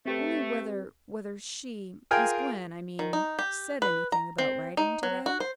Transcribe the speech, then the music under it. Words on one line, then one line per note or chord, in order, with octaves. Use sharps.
"Only whether--whether she--Miss Gwen, I mean--said anything about riding to-day?"
A3 C4 G4 B4
F4 G#4 A#4 G5 G#5
D#3
D#4
G4
B4
A#5
C4
D#4
F#3
F#4
C5